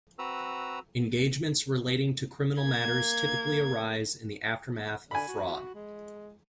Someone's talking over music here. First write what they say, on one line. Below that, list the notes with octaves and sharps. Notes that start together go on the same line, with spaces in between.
Engagements relating to criminal matters typically arise in the aftermath of fraud.
C4 F#4 B4 A#5 E6
A#3 G#6
D3 G#5 B5
F#4
G#3